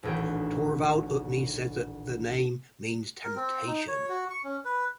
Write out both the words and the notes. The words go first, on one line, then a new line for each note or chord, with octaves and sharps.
Torvald Utne says that the name means temptation.
D#1 A1 D2 G#4 G5
A#4
C4
D#4
C#5
F#4
C#6
C#4
B4